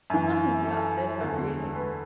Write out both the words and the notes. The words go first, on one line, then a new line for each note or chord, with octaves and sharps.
Nothing could upset her, really.
F#2 E3
A4
E2 D3
B4